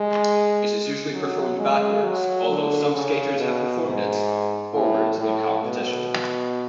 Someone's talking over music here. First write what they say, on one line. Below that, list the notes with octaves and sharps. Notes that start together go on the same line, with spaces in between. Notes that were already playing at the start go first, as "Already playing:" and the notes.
It is usually performed backwards, although some skaters have performed it forwards in competition.
Already playing: G#3
F#3
G#3
F#3
D3
C#3
B2
G#2
A2
A2
B2